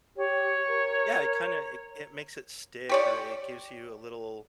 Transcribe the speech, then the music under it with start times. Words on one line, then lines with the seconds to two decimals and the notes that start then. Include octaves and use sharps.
Yeah, it kinda it it makes it stick, or it gives you a little
0.17 G4 C#5
0.69 A#4
2.89 G4 C#5 D5